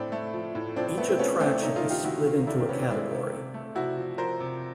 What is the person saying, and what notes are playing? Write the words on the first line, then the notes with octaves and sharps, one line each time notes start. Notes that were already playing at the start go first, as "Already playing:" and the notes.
Each Attraction is split into a category.
Already playing: A2 C4 D4
A3
F3
A2
F3 C4 D4
C4
A3 B3
C4
A3 B3 C#4
A3 C4 D4
C3 C#4 D#4
D#4 F4
D#3
F4 G4
D#3 E4 F#4
D#3
C3 D4 E4
C4 D4
C3 B3 C#4
C4 D4
G#3 D4 E4
C3
C3
A3
C3 E4 F#4
F3
F3 A#4 C5
C3